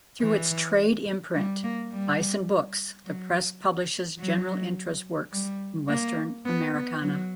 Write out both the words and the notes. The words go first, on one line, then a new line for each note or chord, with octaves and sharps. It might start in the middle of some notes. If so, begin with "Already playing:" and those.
Through its trade imprint, Bison Books, the press publishes general-interest works in Western Americana.
E3
G3
A#3
G3
F#3
F#3
G3
A#3
B3
B3
F#3